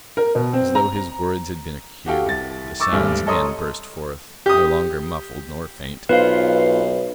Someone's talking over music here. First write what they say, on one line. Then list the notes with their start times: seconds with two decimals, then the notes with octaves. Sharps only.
As though his words had been a cue, the sounds again burst forth--no longer muffled nor faint.
0.17 A#4
0.35 B2
0.53 C4
0.75 A#5
2.06 F#4 G4 A4 F5 G5
2.26 C2 A6
2.80 C#6 D6 E6 A6
2.92 G#1 D2 G3 F6
3.27 A4 C#5 D#5 A#5 C6 D#6
4.46 G4 D#6
6.09 B1 B3 F4 B4 C5 F5